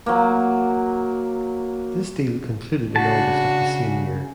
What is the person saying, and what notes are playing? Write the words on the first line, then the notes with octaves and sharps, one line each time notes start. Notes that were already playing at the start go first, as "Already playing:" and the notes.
This deal concluded in August of the same year.
F#3 A#3
C#3 D4 F#4 A5